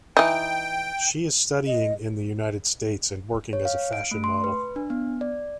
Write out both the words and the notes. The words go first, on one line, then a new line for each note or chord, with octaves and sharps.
She is studying in the United States and working as a fashion model.
E3 D#4 G5
D#5
C#5
F5
D7
A3
C6
B4
D4
B3
D5